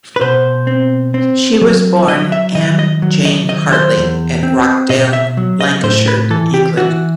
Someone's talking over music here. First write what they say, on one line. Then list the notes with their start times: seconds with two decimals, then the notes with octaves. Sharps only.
She was born Anne Jane Hartley at Rochdale, Lancashire, England.
0.16 B4
0.21 B2 C5
0.67 C4
1.14 C4
1.62 F#3
2.08 F#3 D#5
2.32 E5
2.55 D#3 D#5
2.79 D#5
3.02 F#3
3.25 D#5
3.49 D#3 D#5
3.73 C5
3.97 E2
4.43 C4
4.90 B2 D#5
5.13 E5
5.37 F#3
5.61 D#5
5.83 A2 C5
6.08 B4
6.30 E3 A4
6.54 G4
6.77 E3 F#4